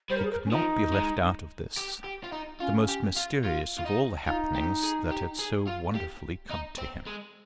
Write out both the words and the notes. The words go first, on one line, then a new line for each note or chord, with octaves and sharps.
He could not be left out of this, the most mysterious of all the happenings that had so wonderfully come to him.
G3 C5
A#4
G#4
A#4
C#4
F3 D#4
G#3
G4
G4
F4
D#4
C#4 F4
G4
F4
F4
F4
D#4
D#4 F4
G4
G#4
G4
G#4
F4
G4
D#4
C4
G#3